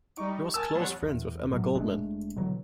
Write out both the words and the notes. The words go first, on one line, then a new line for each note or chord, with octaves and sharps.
He was close friends with Emma Goldman.
G3 D#4 C#6 D6
A#4 G#5 A5 E6 A6
F2 G3 C#5 F#5
E2
A2 F#3
F1 G#3 A3 D4
B2 D3 E3 F#3